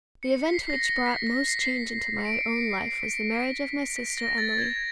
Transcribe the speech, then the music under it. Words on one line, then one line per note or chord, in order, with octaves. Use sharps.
The event which brought most change into my own life was the marriage of my sister Emilie.
C#7
B6
C7
A#6
A#6
B6
B6
C7
C#7
D7
C#7
C7
C7
B6
B6
B6
A#6
A6
G#6